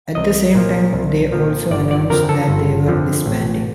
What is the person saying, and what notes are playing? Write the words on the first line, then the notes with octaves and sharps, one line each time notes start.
At the same time, they also announced that they were disbanding.
C2 D#5
A#2 F3
C2
A#2 F3
G1 D5
D5
F2 D3 F3 A#4
A4
G1
F2 D3 F3
A1